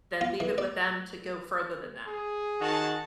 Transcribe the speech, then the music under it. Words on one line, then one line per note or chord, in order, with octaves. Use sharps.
then leave it with them to go further than that.
F4
E3
D5
G#4
D#3 F#4 F#5 A5